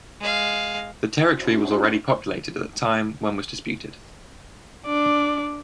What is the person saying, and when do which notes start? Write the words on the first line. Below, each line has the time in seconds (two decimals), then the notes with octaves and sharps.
The territory was already populated at the time when was disputed.
0.21 G#3 F5
1.23 C#4 D4 E4 F#4 C5
4.86 D4 D5